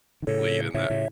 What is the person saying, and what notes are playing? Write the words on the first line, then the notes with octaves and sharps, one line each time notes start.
lead in that
D#3
A2 C#3 A4 C#5
A2 C#3 C#5 E5
A2 C#3